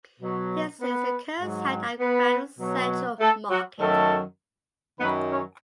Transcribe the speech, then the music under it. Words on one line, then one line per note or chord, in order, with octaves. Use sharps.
This is the current site of Grand Central Market.
B2 F#3
B3 B4
G#2
F#3
B3 B4
B2 F#3
A3 A4
F#3 F#4
F#2 D#3 F#3 A3 A4
F#2 D#3 F#3 B3 B4
C#4 C#5